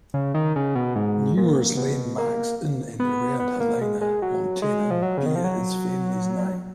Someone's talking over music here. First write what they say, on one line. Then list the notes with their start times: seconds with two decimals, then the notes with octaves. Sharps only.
Numerous landmarks in and around Helena, Montana bear his family's name.
0.14 C#3
0.34 D#3
0.56 C#3
0.75 B2
0.96 G#2
1.37 A#2
1.77 B2
2.18 A#3
3.00 B3
3.40 B3
3.60 A#3
3.81 G#3
4.01 G#3
4.22 F#3
4.62 G#3
4.91 F3
5.03 F#3
5.18 C#3
5.26 D#3
5.35 F3
5.44 F#3